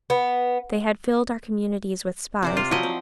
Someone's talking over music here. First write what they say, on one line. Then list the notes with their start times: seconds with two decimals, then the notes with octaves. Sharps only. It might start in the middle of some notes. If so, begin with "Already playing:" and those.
They had filled our communities with spies.
0.10 B3
2.42 C3 C5 D5
2.57 F4
2.71 F3 F#3 E4 D#5
2.83 C4